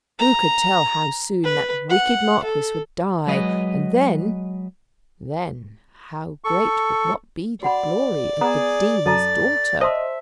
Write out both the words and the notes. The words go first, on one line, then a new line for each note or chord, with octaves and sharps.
Who could tell how soon that wicked Marquis would die; and then,--then how great would not be the glory of the Dean's daughter!
A#5
B4
F#5
A4
F#3 G#3 B4 D#5
A4 C#6
F#4 D5 F#5 B5
B3 G#4 A#5
F#2 A4 A5 A#5 A6
C5 D#5 E5 A5 C6